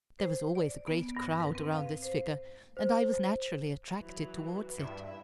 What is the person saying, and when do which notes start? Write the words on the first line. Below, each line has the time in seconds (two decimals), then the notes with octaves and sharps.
There was always a great crowd around this figure, and I was naturally attracted towards it.
0.19 C5
0.55 D5
0.87 B3
1.17 G2
1.40 B4
1.55 C4
1.73 F5
2.02 C5
2.77 C5
3.99 E3 F#3
4.77 G2 E4 E5